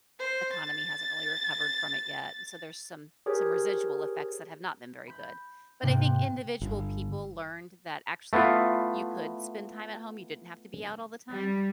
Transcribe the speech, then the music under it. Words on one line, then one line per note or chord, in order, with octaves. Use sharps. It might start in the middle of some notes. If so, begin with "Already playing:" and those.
economy hasn't really recovered from it yet, so there's some some residual effects that have not been very good. But I think individual people learned that actually you could spend time at home, you didn't have to be out all the time.
C5
A6
G4 G#4 A#4 C5 C#5
B5 G6
G#2 C3 A#3 G5 F#6
G1
A3 B3 E4 F4
G3